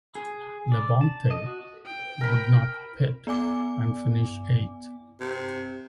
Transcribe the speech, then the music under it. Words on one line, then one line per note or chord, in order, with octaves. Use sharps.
Labonte would not pit and finish eighth.
G#4
D5
A5
D#5
F#4
G5
A#4 B5
B3 D5 G#5 D6
C3